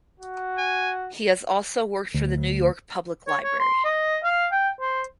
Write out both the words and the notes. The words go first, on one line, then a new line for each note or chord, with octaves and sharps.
He has also worked for the New York Public Library.
F#4
G#5
D2
C#5
C#5
C6
D#5
F5
G5
C5